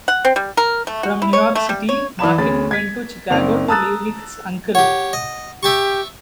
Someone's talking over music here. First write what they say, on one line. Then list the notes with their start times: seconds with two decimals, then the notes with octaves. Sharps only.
From New York City, Markin went to Chicago to live with his uncle.
0.08 F#5
0.25 C4
0.36 G3
0.57 A#4
0.87 A3
1.03 F#4
1.22 E4
1.33 C#5
1.55 A3
1.69 G3
1.89 C#5
2.19 E3 D5 B5 E7
2.38 D2 C#4 G#4 B5 A6
2.71 G#6 B6
3.30 F#1 C4 D#4 D5 F7
3.68 A5 A#5 D#6 E6 F#6 A6
4.75 G4 C#5 F#5
5.13 D#5
5.63 G4 E5 A5 C#6